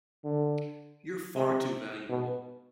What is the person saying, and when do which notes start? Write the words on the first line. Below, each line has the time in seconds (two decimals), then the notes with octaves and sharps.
You're far too valuable!
0.24 D3
1.35 C3
2.09 B2